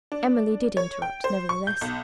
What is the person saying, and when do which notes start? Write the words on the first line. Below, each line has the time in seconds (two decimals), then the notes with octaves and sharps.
Emily did interrupt, nevertheless.
0.12 D4
0.77 C#5
1.02 G5
1.24 C5
1.49 C#6
1.67 G6
1.81 B1